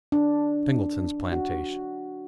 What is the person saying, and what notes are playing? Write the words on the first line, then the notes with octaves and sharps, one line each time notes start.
Singleton's plantation.
D4
F#4